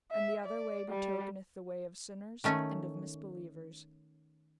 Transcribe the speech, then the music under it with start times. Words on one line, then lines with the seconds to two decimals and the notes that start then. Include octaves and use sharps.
And the other way betokeneth the way of sinners and of misbelievers.
0.11 E5
0.45 D5
0.90 G3
2.44 D#3 A3 C#4